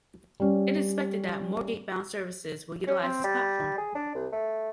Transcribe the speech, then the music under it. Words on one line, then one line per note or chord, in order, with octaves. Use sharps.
It is expected that Moorgate-bound services will utilise this platform.
G3 C#4
C#4
C4
G3
G#4
D4
C2
A3